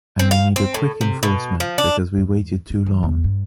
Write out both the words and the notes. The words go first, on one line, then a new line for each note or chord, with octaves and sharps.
And we need a quick enforcement, because we waited too long.
C4
F5
C4
A2
C3
B2
F3
D4
E2
D#4
E3
E2
G2